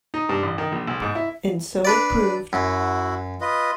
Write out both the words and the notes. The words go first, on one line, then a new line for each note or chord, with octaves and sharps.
And so it proved.
D#4
G2
A1
D#3
A#1
B1
G#2
E4
D4 B4 D5
F#2 E4 F#4
F4 B4 D#5